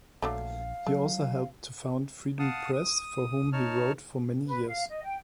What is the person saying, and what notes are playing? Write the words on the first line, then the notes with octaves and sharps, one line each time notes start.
He also helped to found Freedom Press for whom he wrote for many years.
A#1 D3 F#3 A3 F5
F#3 A3
F5 F#5 A5 D#6
D#6
D#4 C#5 A5 F6
B4
F5
D#5
G5